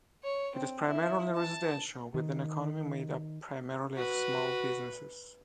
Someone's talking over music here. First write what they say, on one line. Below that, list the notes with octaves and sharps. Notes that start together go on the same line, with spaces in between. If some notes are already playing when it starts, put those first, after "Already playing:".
It is primarily residential, with an economy made up primarily of small businesses.
C#5
C4
E4
A5
D#3
F#4 B4